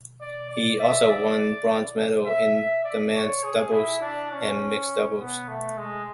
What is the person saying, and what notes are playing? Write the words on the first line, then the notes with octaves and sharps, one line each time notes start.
He also won Bronze Medals in the men's doubles and mixed doubles.
D5
D5
E5
D5
E5
E5
D5
C#5
G#4
E4
D4
C#4
B3
A3
G#3